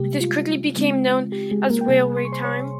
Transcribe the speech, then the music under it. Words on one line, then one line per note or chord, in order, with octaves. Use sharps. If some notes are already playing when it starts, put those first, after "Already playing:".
This quickly became known as Railway Time.
Already playing: C3 G3 G#3 A#3 G4
F4
C#3 G#3 C4
G4
G#3 G#4
A#3 A#4
G5
C3 G3 A#3 G#4 G#5
C6
C#6
C5 C6
C#5 C#6